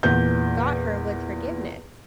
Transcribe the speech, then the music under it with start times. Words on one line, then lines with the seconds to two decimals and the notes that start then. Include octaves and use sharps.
got her was forgiveness.
0.03 E2 A#2 B4 G6